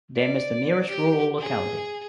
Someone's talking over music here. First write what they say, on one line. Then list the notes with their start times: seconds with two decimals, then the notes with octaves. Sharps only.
Dim is the nearest rural locality.
0.16 D5
0.89 G4
1.39 G#4